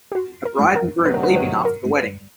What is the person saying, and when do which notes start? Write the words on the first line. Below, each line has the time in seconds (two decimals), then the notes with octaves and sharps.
A bride and groom leaving after the wedding.
0.12 G4
0.15 F#4
0.45 A#4
0.76 A#4
1.06 D2 C3 D#3 F#3 B4
1.14 A#4
1.23 B4
1.36 B4
1.65 A#4
1.96 B4